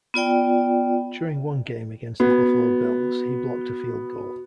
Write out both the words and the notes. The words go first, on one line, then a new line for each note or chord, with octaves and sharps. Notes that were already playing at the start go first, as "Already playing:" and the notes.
During one game against the Buffalo Bills, he blocked a field goal.
B3 F4 D5 G5
B3 F#4